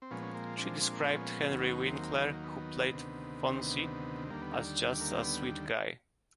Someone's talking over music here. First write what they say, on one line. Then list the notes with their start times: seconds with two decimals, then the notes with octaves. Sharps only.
She described Henry Winkler, who played Fonzie, as just a sweet guy.
0.02 C4
0.11 A#2 F3 G#3 B3 C#4
0.22 C#4
0.34 A#3 C4
0.58 C4 D4
0.81 C4 D4
0.93 A#3
1.01 B3
1.09 C4
1.15 B3 C#4
1.50 D#2 D#3 F#3 B3 C#4
1.86 A#3 C4
2.21 B3
2.33 A#3
2.44 B3
2.91 D2 C3 D#3
3.52 C4
3.61 B3
4.30 D#2 D3 G3 A#3
4.42 B3
4.53 A#3
5.01 A#3
5.17 C4
5.24 B3